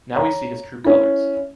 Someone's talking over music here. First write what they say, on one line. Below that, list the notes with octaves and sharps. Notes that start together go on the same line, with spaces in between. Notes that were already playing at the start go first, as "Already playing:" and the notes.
Now we see his true colors.
C#5 A#5
C#4 E4